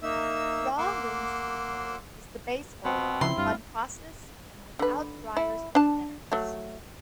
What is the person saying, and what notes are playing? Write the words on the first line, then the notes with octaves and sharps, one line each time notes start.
Raw linseed oil is the base oil, unprocessed and without driers or thinners.
A#3 D#4 E5 E6
A#3 F#5 C6 D6 E6
B2 C4
C#3 F3 E4 C6
G2 F4
D3 B4
E4
D4 A5
F#3 A3